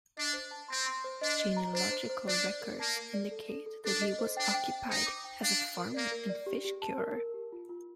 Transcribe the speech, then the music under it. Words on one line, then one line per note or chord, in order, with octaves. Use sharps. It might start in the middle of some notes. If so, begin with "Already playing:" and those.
Genealogical records indicate that he was occupied as a farmer and fish curer.
D4 D#5
C5
A5
C4 C6
C6
C5
D4 D#5
D#5
A#5
D4 C5
C5
C5
D4 D5
D5
A#4
A#3 A5
A#4
D5
A4
A4
A4
D4 A4
D#5
C5
D4 G5
G5
G5
D#4 C5
D6
G5
D4 F5
F5
A#4
A#3 D5
A#4
D5
G4
G4
A5
A#4
A#4
G4
F4
F4